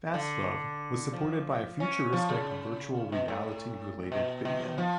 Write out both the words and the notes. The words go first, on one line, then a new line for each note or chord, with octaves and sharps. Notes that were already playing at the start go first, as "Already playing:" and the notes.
"Fastlove" was supported by a futuristic virtual reality-related video.
D3
F3
C#4
F3
C#3
B2
A2
B2
B2
F3